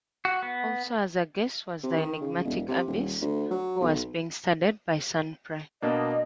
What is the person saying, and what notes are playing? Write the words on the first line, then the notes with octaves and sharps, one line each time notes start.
Also as a "guest" was the enigmatic Abyss, who was being studied by Sunpyre.
F#4
B3
C3
D#3
C#3
E1
C3
D#1
D2
F#3
B1
B2 A#3 D4 D#5